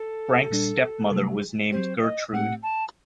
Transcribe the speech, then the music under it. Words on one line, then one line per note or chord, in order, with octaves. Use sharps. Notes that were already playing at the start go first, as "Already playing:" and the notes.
Frank's stepmother was named Gertrude.
Already playing: A4
A#2 G3 D4
C3 F#3 A3
F#3 C4 G4 C5
D#5
A2 A3 C4 G4 F#5
A5